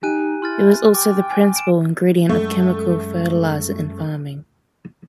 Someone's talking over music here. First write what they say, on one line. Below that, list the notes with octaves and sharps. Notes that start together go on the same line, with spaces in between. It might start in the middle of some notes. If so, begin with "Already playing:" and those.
It was also the principal ingredient of chemical fertilizer in farming.
D#4 G4 G#5 F#6 D#7
E4 C6 F6 A6
G5 D6
G#5
D7 E7
F#2 G#3 A3